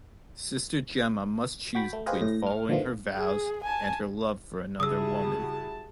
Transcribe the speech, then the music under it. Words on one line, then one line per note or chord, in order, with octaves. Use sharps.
Sister Gemma must choose between following her vows and her love for another woman.
F#4 G5 B5
A3
F4 G4 G#4 B4 C5 D#5
A2 A#6
F6
D3 D#3 F3 A3 B3 F4
G#4
G#5 A5
C#3 G3 E4 F#4 G#4 A5 D#6 E6